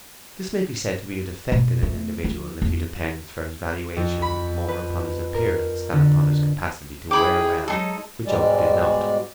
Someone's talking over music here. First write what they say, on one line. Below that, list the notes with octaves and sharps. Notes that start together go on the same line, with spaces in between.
This may be said to be a defect in an individual if he depends for his valuation more upon his appearance than upon his capacity to wear well, which Oak did not.
B2
A3
F3
E2
F2
B5
B4
A#4
D3
E4 G#4 G5 B5 D6
F#3 G#3 D#4 G#4 A4
G#2 B2 G3 G#3 D5